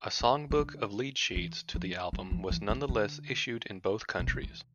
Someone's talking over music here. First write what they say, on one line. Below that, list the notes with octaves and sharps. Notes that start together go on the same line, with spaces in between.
A songbook of lead sheets to the album was nonetheless issued in both countries.
E3
E3
D3
E3
F3
G3
F3
E3
E3
D3
B2
C3
D3
E3